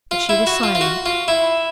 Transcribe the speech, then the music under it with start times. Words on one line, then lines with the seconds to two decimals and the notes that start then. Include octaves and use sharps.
But she was silent.
0.11 F4
0.29 E4
0.47 F#4
0.63 F4
0.75 F4
0.81 F#4
1.06 F4
1.28 E4